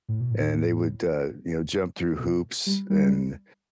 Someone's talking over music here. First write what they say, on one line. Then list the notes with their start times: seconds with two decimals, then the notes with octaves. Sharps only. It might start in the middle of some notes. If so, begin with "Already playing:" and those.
and they would, uh, you know, jump through hoops, and
0.09 A2
0.20 B2
0.31 A2
2.19 B2
2.66 G3
2.90 G3